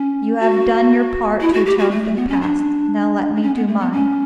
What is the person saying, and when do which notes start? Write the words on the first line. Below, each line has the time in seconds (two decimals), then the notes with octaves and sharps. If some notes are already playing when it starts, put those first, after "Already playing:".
You have done your part to atone for the past, now let me do mine.
Already playing: C#4
0.40 F#4
1.41 E4
1.53 F#4
1.66 G4
1.78 F#4
1.91 A3
2.04 A3
2.16 B3
2.29 C#4
2.42 D4
3.35 D4
3.42 C#4
3.55 B3
3.67 A3
3.79 B3
3.93 C#4